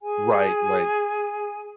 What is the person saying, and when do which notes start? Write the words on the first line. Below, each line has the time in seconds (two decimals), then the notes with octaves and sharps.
Right, right.
0.01 G#4 G#5